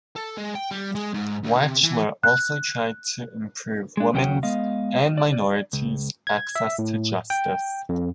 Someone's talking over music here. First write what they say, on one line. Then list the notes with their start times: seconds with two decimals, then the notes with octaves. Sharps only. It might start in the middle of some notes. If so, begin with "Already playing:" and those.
Wachtler also tried to improve women's and minorities' access to justice.
0.16 A4
0.37 G#3
0.55 G5
0.71 G3
0.95 G#3
1.14 G#2
1.43 D2
1.62 C3
1.83 E3
2.23 F#6
3.97 G#3 D4
4.13 D#2 F#3 C#4 G4 F#5 G5
4.43 G#3 B3 D#5 F5
5.18 D5
5.73 C#2
6.27 G#6
6.55 E5
6.79 A2
7.30 G5
7.89 F2